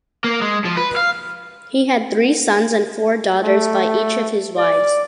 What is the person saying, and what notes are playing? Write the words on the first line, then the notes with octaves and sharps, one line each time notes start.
He had three sons and four daughters by each of his wives.
A#3
G#3
F3
B4
F5
A3
D5